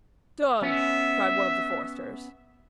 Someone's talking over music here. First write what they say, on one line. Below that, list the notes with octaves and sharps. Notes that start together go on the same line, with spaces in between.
"Done!" cried one of the foresters.
B3 C#4 E5